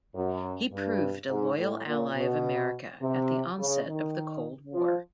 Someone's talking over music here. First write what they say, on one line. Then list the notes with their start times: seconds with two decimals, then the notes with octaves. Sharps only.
He proved a loyal ally of America at the onset of the cold war.
0.15 F#2
0.72 G2
1.29 G#2
1.58 A2
1.87 A#2
2.15 B2
3.02 C3
3.60 C#3
3.88 D#3
4.74 F3